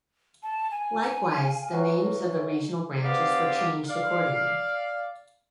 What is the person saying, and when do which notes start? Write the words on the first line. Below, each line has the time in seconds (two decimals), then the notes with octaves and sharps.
Likewise, the names of the regional branches were changed accordingly.
0.43 A5
0.71 G#5
1.37 F5
1.71 E3 F#3 F#4
3.03 B3 C4 G4 G#4 D5 F5
3.88 D5 F5